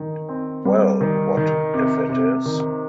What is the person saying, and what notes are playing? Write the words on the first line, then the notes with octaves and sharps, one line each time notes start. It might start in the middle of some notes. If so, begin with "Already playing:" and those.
Well, what if it is?
Already playing: D#3
C4
G3
D#3
D#3
C3
C3
D#3